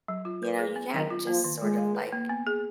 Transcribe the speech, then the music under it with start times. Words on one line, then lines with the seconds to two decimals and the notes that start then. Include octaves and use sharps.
you know, you can't just sort of, like,
0.08 F#3
0.25 F4
0.43 B4
0.59 G#4
0.76 B3
0.94 D#3 F#3
1.10 F4
1.27 F3 A#3
1.44 D#3
1.61 G#3 F4
1.78 F5
1.95 B4
2.13 A#3
2.29 B3
2.47 G#4